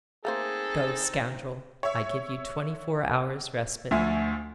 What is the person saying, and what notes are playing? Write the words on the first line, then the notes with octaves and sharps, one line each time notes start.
Go, scoundrel, I give you twenty-four hours respite.'
A3 A#3 C4 D#4 G#4 A4 C5
C#5 E5
D2 F3 E5 G#5